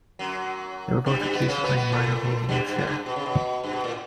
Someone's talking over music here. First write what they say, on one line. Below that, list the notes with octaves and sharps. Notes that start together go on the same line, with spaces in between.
They were both accused of playing a minor role in the affair.
F#2 F#3
G2 G3
G2 G3
B2 B3
C#3 C#4
B2 B3
B2 B3
A2 A3
G2 G3
G2
A2
G2
B2
C#3
B2
G2
B2
A2